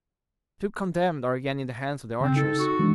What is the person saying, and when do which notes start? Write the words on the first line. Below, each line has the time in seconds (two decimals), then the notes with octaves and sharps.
The two condemned are again in the hands of the archers.
2.21 C#3 C4
2.36 D#4 A4
2.59 F#4
2.79 E3 G#3 D4